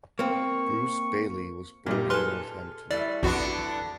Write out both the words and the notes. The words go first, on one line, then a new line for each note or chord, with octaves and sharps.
Bruce Bailey was born in Northampton.
A#3 C4 C#6
A#2 G3 A#3 D#4
G#4 A4 B4 C6 F6
E3 G3 A3 D5
A#1 F2 D3 B3 D4 F#4